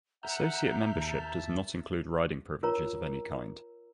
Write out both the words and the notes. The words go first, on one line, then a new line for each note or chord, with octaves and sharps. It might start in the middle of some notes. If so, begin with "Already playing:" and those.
Associate membership does not include riding privileges of any kind.
E5 F#5 A#5 F6 G6
D#2 A5
F4 A#4 C#5 A#5